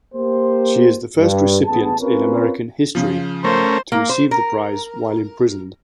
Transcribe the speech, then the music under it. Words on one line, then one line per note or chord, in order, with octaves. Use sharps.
She is the first recipient in American history to receive the prize while imprisoned.
A#3 G4 C5
G2
A1 B3 G#4 A5
C4 C#4 F4 A#4 B4 C#5
C#3 F3
A3 C#4 A#4 C5
A#3
C5
A#4